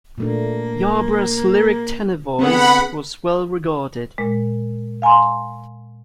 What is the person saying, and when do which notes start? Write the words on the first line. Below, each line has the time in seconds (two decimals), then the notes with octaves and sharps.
Yarbrough's lyric tenor voice was well-regarded.
0.18 A#2 A3 A#3 D4
2.39 D3 B3 C4 G#4 B4 F#5 B5
4.18 A#2 G#3
5.02 F5 G#5 A#5 C6